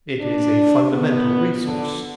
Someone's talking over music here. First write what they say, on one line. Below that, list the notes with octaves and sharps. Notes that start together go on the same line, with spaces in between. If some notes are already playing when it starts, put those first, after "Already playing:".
It is a fundamental resource.
D4
B3
D3